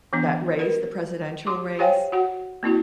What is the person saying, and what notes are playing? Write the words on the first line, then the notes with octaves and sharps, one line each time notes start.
that race the presidential race
E3 B3 D4
A#4 B4
G4 C6 D6
G4 C5 C#5 F5 G5 G#5
F#4 F#5
A#3 C4 E4 F#4